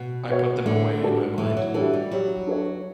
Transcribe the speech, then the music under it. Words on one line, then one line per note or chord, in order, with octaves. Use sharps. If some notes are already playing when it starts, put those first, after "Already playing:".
I put them away in my mind.
Already playing: B2
B3 F#4 C#5
A2 D3
G3 D4 F#4 A4
A2 E3
F#3
E3 G3 D4 F#4 A4
G3
F#3 G3
D4 A4 C#5